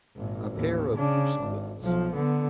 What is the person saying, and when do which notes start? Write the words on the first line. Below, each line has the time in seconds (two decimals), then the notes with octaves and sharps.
"A pair of goose-quills."
0.16 G#1 A#2
0.51 A1 D#2
0.97 C#3 D4
1.41 G#1
1.81 B1 F3
2.14 D3 B3